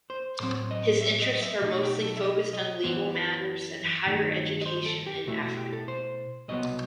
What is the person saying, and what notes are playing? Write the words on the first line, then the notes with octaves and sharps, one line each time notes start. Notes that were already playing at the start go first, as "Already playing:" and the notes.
His interest are mostly focused on legal matters and higher education in Africa.
C5
A2 F#3 C4 C5
D#5
E5
D#5
D#5
E5
B2 F#3 A3 D#4 D#5
G4
A4
E5
D#5
D#5
F#2 E3 B3 C5
B4
G2 D#3 F#3 A3 D#4
D#5
C5
A4
G4
B2 A3 E4 F#4
F#4
G4
A4
C5
C2 B2 F#3 B3 D#5